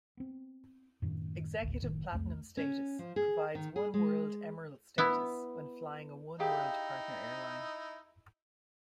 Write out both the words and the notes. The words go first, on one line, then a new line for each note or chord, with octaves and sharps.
Executive Platinum status provides oneworld Emerald status when flying a oneworld partner airline.
B3 C4
F#2 A2 D#3
G#1 D2 A2
F#1 A2 D#3
C2 F2 G3 A3
C#4
F3
G#4
D#3
G#4
G#3
B3 E4
D#4 E4 G4 G#4 F5